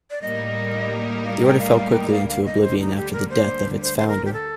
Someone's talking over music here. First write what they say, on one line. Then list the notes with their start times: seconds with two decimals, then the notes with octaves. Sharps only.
The order fell quickly into oblivion after the death of its founder.
0.11 D5
0.22 A2 G3 A#3 D#4 A#4 D#5
1.25 F5
1.43 G5
1.59 F5
1.77 F5
1.94 G5
2.11 F5
2.27 D2 D3 G3 A#3 F5
2.46 D#5
2.62 C5
2.80 D#4
2.96 G4
3.13 A#4
3.30 C5
3.82 C5
3.98 C5
4.08 A#4
4.25 G4
4.33 A4